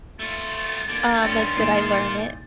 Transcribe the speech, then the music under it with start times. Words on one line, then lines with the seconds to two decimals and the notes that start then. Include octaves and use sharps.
Um, like, did I learn it?
0.19 A3 F4 A6
0.88 D3 A#3
1.22 G2 D#3 C#4 G5 C6
1.57 A#2 E3 A#3 D#4 F4